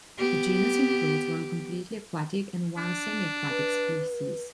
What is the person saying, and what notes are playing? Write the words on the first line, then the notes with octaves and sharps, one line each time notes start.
The genus includes one completely aquatic and one semiaquatic species.
B3 G4
D4
B4